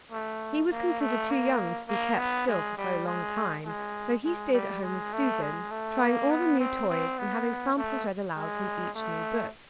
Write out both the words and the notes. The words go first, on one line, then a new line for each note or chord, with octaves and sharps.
He was considered too young to be kept still for so long a time; so he stayed at home with Susan, trying all the new toys and having samples read aloud from each new book.
A3
A#3
A3
A#3
A#3
B3
G#3
G3
G#3
G#3
G#3
G3
G#3
A3
G#3
A3
A#3
B3
C4
C4
B3
A3
G#3
A3